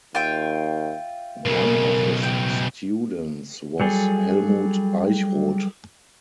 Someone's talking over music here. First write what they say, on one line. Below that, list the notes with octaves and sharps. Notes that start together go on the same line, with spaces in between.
One of his students was Hellmut Eichrodt.
D#2 F4 E5 G5
B1 C#3 A#4
G5
F#3 G3 G#4 A4